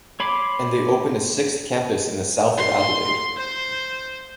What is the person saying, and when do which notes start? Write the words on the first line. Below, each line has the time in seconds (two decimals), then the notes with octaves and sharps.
And they opened a sixth campus in the South of Adelaide.
0.20 C#5 B5 C6 D6
2.58 C6
3.37 C5